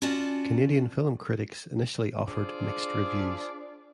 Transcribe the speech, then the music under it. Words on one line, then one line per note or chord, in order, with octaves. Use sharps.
Canadian film critics initially offered mixed reviews.
C#4 F4 F#4 D5 A5
D4 F4 G#4 C5 D5